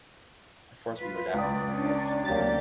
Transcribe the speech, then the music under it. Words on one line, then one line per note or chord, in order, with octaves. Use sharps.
At first we were laughing when we heard it.
F4 B4
C#2 D5 D#6
C#4 D4 D5
D2 C3 F#3 A#3 D4 G4 A6